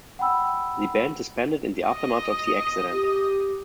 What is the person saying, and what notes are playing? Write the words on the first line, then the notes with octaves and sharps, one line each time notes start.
The band disbanded in the aftermath of the accident.
F#5 G5 B5 E6
D#5
G4